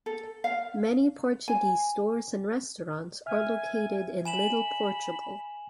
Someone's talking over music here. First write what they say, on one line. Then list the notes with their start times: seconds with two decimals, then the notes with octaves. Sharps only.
Many Portuguese stores and restaurants are located in Little Portugal.
0.06 A4
0.44 F5
1.48 G#5
3.26 E5 G#5 F6
4.25 G#5 B5 E7 F#7